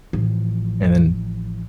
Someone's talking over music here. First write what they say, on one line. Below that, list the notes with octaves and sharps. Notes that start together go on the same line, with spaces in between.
and then
A1 F3